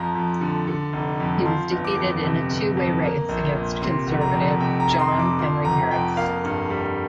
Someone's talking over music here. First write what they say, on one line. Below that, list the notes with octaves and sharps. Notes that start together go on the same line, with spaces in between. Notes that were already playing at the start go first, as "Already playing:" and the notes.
He was defeated in a two-way race against Conservative John Henry Harris.
Already playing: F2 F3 A#5
F2
D3
D3
F1
F2
F3 C6
G1
D6
F2
C3
G1
F2
A#3
A#1
A#2
C3 C6
F1
A#5
F2
C3 G5
A#5
F1
C6
F2
D6
F3 C6
F1 A#5
F2 G5
A#3 F5
G2
G3